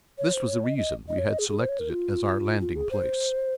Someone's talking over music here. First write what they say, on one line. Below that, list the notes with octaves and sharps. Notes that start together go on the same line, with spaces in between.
This was the reason we had selected it as our landing place.
C#5
C5
C#5
D#5
D#5
D#5
C#5
D#5
G#4
G#4
C5
C#5
A#4
F4
F4
G#4
C5